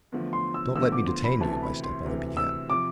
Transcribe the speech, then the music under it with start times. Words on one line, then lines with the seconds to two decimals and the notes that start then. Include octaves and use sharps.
"Don't let me detain you," my stepmother began.
0.12 E2 D3 F3 A3
0.33 C6
0.54 E6
0.75 E2 D3 F3 A3 E6
0.92 D6
1.07 C6
1.24 B5
1.40 D2 C3 E3 A5
1.53 A5
1.62 B5
1.83 C6
2.05 D2 C3 E3
2.37 E6
2.70 C3 F3 D6